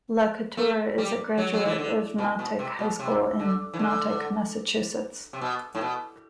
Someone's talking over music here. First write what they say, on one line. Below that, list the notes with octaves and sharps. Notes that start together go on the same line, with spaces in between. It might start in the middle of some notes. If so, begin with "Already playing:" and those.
LaCouture is a graduate of Natick High School in Natick, Massachusetts.
A3
G3
F#3
F#3
E3
D3
B2
B2
C3
B2
C3
D3
E3
D3
C3
B2
A2
B2